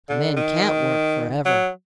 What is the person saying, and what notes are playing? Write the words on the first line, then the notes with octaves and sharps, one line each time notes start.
A man can't work for ever.'
D3
D#3
F#3